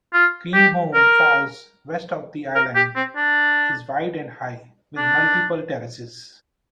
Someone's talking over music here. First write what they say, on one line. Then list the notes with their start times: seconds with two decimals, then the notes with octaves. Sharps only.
Kreenholm Falls, west of the island, is wide and high with multiple terraces.
0.13 F4
0.54 G4
0.94 A#4
2.56 A#4
2.76 G4
2.96 C4
3.16 D4
4.97 D4